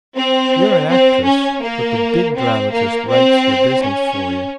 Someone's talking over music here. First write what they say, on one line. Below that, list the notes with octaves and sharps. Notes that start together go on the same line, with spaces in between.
You're an actress, but the Big Dramatist writes your business for you.
C4
C4
C#4
A#3
C4
A#3
C4
C#4